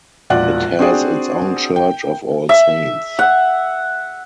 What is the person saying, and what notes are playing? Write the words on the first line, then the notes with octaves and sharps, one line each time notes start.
It has its own Church of All Saints.
E1 A#1 F4 D5 F#5 F#6
C4 D4 F#4 G#4 C5 D5
G5
E5
F#5